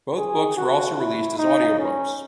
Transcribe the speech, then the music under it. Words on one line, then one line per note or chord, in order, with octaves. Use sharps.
Both books were also released as audio books.
G#4
F#4
E4
D#4
C#4